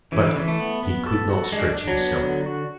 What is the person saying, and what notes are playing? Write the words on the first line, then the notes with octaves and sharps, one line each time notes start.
But he could not stretch himself.
C#3 E3
D3
C#3 E3
A3
B3
B3
A4
F#4
G#3 D4
D4
F#3
B3
D3
F#4